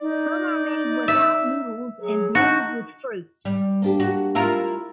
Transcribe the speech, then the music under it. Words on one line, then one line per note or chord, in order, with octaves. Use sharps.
Some are made without noodles and blended with fruit.
D#4 D5
E5
F#3 G#4
D4 D#4 F#4
G3
A#3 D4 G4
F#4
E4 F4 A#4